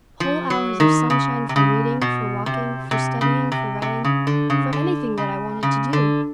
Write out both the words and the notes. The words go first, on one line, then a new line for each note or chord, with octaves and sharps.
Whole hours of sunshine for reading, for walking, for studying, for writing, for anything that I wanted to do!
F3
F#3
D#3
C#3
C3
C#3
B2
C3
C3
C#3
C3
C3
C#3
D3
C#3
D3
C#3
C#3
D3